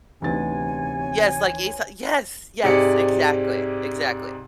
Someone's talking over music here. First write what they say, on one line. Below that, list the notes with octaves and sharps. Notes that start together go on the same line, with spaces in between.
Yes, like, Aeso yes, yes, exactly, exactly,
D2 C3 E3 B3 D#4 C#5 G#5 A6
G#2 C3 G4 G#4 D5 C#7